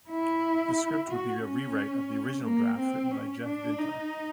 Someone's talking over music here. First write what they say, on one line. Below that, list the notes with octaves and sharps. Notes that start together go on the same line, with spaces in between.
The script would be a rewrite of the original draft written by Jeff Vintar.
E4
F#4
C#4
A#3
C4
C#4
D4
D#4